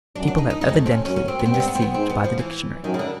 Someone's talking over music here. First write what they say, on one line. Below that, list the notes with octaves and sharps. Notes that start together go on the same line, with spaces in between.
People have evidently been deceived by the dictionary.
F#2 D4
D4
D#4
D#4
F2 D#4
G#3
A3
C4
C#4
F#2 C#4
C#4
C4
B3
C4
G2 B3
C4
B3
C4
B3
G#2 C4
B3
F3
E3
F#2 D#3
C#3
D3